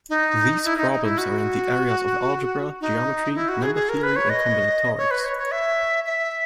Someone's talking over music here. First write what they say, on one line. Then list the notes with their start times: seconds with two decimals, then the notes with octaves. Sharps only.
These problems are in the areas of algebra, geometry, number theory and combinatorics.
0.09 D#4
0.64 E4
0.77 D#4
0.91 D#4
1.04 E4
1.18 F#4
2.81 D#4
3.35 E4
3.48 F#4
3.62 G#4
3.75 G#4
3.89 A#4
4.03 B4
4.16 C#5
4.30 D#5
4.97 C#5
5.11 B4
5.25 C#5
5.38 C#5
5.51 E5
6.06 E5